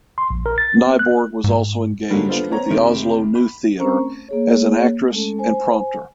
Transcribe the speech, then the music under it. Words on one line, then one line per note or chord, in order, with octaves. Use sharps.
Nyborg was also engaged with the Oslo New Theater as an actress and prompter.
C6
A#1
A#4
A6
B3
F#6
G#2
G#2 D3 F#3 G3 A#3 D4
B3 D4 F4 A4 C5
B3 C4 C#5 A#5
F#1 C3 D#3 D7
B5
C4 C#4 A#4 C5 A#5 C#6
A3
A#3 G#4 C#5
G#3 A3 C#4 A4
C5 G#5